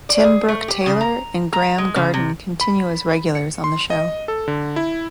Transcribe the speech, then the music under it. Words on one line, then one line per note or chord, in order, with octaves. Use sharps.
Tim Brooke-Taylor and Graeme Garden continue as regulars on the show.
D5
G#4
A3
G4
C#3
A#5
A#5
G#3
C#3
C3
B5
C#7
C6
D#5
A4
D3
E4